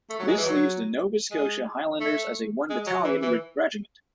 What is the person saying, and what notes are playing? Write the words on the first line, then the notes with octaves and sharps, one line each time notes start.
This leaves The Nova Scotia Highlanders as a one-battalion regiment.
A3
F#3
G#3
E3
F#3
G#3
A3
G#3
F#3
E3
E3